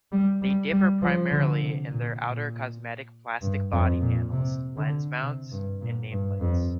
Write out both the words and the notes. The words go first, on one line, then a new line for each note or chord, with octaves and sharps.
They differ primarily in their outer cosmetic plastic body panels, lens mounts and nameplates.
G3
G3
G3
F3
D3
C3
A#2
A#2
G2
F2
A#2
C3
D3
C3
G2
A#2
G2
F2